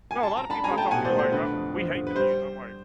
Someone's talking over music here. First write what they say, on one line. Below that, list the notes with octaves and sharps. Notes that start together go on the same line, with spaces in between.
No, a lotta people I talk to are like, "Uh, we hate the news." I'm like,
G#5
A5
A#5
D4 A5 B5
G#5 A#5
A3
G5 A5
B2 F#5 G#5
C5 D5
A3
C5
D3 B4
F2
F3
D3
B4
G3 C5